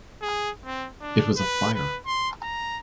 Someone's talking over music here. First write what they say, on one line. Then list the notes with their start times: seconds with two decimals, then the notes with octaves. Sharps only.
It was a fire.
0.22 G#4
0.66 C4
1.01 D4
1.36 B4
1.74 B4
2.06 C6
2.42 A#5